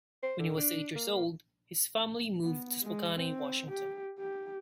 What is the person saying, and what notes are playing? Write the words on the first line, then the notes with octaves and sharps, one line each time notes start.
When he was eight years old, his family moved to Spokane, Washington.
C5
D3
D4
A#3
B3
G#3
C4
G4
G4